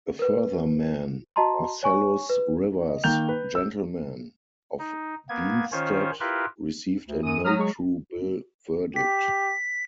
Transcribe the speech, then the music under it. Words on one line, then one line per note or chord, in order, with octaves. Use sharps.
A further man, Marcellus Rivers, gentleman, of Benstead, received a "no true bill" verdict.
A#4 B4
F#4 D#5 A5 A#5 C6
C#5 G#5 C#6
B4
D#5
D#3 A#3 G5 G6 F7
B4
E6
D#4
A#3 B3 G#6
D#3 C#4 F4 C5 C#5
E4 F4 G4 A#4 B4
D2
F#2 D#6 D#7
F#3 A#5 D#6 F6
G#3 C#6
G4 B6